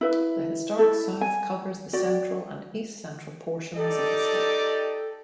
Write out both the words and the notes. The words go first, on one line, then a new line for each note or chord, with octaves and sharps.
The Historic South covers the central and east-central portions of the state.
E4 B4 E5
E4 A4
G#5
F#4 D5 G5
D#4 G4 A4 D5